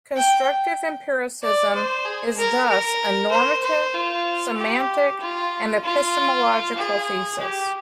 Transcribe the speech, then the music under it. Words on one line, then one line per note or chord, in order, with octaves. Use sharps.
Constructive empiricism is thus a normative, semantic and epistemological thesis.
G5
D5
C5
G#4
A#4
A#4
C5
C5
F4
G4
F4
F4
G#4
G4